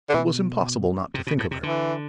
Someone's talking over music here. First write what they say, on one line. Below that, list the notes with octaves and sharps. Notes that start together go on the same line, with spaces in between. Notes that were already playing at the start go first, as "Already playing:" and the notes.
It was impossible not to think of her.
D3
B2 E3
C3
B2
A2
C3
D3 E3